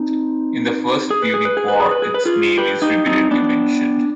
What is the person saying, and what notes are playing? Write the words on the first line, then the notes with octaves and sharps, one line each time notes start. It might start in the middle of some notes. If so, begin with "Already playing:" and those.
In the First Punic War its name is repeatedly mentioned.
Already playing: C4 D#4
G#4
B4
G#4
B4
G#4
B4
G#4
B4
G#4
B4
F4 G#4
G4 B4
D#4 G4
C4 D#4
B3 D4